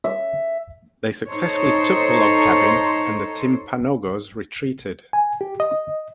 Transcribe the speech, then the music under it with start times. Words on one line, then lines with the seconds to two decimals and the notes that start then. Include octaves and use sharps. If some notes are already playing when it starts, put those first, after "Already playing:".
They successfully took the log cabin, and the Timpanogos retreated.
0.04 E5
1.28 D#4 A4 C5 C#5
5.13 G#5
5.41 G4
5.60 D#5